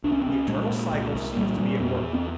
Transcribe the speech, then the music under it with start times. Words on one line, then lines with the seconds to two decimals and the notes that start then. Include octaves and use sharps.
The eternal cycle seems to be at work.
0.04 C2 D4
0.12 C#4
0.22 C4
0.26 C2 C#4
0.48 A#2 G#3
0.70 A#2
0.92 C2
1.14 C2
1.36 A#2 G3
1.59 A#2 G3
1.80 E2 B3
2.02 E2
2.14 C4